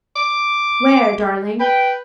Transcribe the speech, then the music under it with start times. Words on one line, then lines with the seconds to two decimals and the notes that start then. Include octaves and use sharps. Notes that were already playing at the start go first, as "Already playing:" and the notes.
"Where, darling?"
0.16 D6
1.60 B4 G5